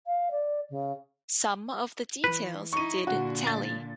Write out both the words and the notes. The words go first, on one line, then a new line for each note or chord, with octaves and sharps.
Some of the details did tally.
F5
D5
C#3
E3 B4
D#4 E4 C#6 D#7
A#2 D3 F#4
A6